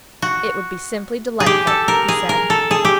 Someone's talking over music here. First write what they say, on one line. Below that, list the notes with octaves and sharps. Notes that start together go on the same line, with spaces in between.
"It would be simply delightful," he said.
F#4
G#4
G4
A4
A#4
G#4
A#4
A4
G#4
G4